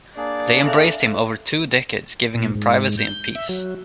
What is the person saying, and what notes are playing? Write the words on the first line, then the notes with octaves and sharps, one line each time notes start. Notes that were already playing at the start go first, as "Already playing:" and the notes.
They embraced him over two decades giving him privacy and peace.
A#3 D4 G#4 D5
A4 E5 F5
A#2
G#2
G6
E5
F#3